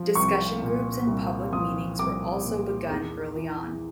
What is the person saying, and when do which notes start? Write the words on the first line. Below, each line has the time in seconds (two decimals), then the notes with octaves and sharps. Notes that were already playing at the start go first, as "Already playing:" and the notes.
Discussion groups and public meetings were also begun early on.
Already playing: F3
0.15 C2 C#6
0.62 A#2
1.07 C2
1.52 F3 D#6
1.99 C2 D6
2.44 A#2
2.90 E2
3.36 E3